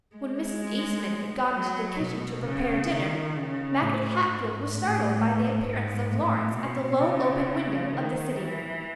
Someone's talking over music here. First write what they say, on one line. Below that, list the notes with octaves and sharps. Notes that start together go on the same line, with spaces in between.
When Mrs. Eastman had gone to the kitchen to prepare dinner, Maggie Hatfield was startled by the appearance of Lawrence at the low open window of the sitting-room.
G#3
F#3
B2
C#3
D#3
C#3
A2
G#2
A2
G#2
A2
B2
C#3
D#3
E3